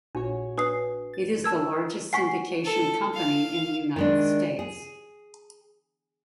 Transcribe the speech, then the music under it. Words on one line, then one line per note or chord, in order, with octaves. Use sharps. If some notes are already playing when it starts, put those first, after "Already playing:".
It is the largest syndication company in the United States.
A#1 D4 F#4 C#5
D4 B4 D#6 C7
A6
A#4 A5 E6 G#6
F#5 G#5 C#6 B6 C7
A4
F5
D#3 G#3 D4
G#4